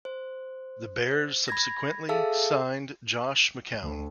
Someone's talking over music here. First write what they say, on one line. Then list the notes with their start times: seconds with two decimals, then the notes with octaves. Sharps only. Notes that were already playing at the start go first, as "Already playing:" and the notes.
The Bears subsequently signed Josh McCown.
0.05 C5
1.48 B5 G#6 A#6
2.09 G#4 A4 E5 F5 A5 E6
3.83 D2